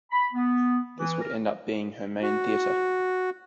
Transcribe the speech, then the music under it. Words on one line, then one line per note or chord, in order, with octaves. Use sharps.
This would end up being her main theatre.
B5
B3
E3
A#4
F#4